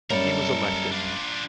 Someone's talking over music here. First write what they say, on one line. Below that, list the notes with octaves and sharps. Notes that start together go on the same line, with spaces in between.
He was elected.
F#2 G3 A#3 A4 A#4
D4 F4